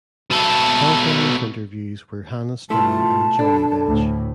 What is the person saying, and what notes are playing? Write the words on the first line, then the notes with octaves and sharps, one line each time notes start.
Helping with interviews were Hannah Storm and Johnny Bench.
B2 A4
B2 A3 E4 F4 A5 C6
D4 A4 B5
D2 A2